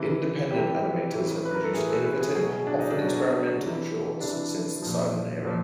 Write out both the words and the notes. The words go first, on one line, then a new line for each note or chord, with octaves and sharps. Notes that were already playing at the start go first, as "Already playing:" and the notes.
Independent animators have produced innovative, often experimental, shorts since the silent era.
Already playing: C3 E3
C3 E3 G4
A2 E3
B4
A#4
A4
A2 E3 G#4
A4
B4
G#4
B2 F#3 G#4
D4
D#4
D4
B2 F#3
C3 E3
C3 E3 D4
A#2 F3
A#2 F3